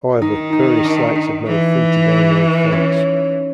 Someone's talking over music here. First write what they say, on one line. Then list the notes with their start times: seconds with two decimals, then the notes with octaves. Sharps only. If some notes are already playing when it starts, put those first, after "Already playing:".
However, various sites have made free-to-download fonts.
0.21 D#3 D#4
0.53 D#4
0.84 D4
1.16 D#4
1.47 E3
2.72 C#4